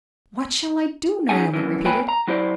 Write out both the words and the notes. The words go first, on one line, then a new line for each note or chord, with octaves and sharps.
"What shall I do?" Naomi repeated.
C#4 D#4 G#4 F#5 G#5
F#2 E3
A#2 B4 C#5 G5 G#5 B5
A#5
F#3 E4 G4 C5 D5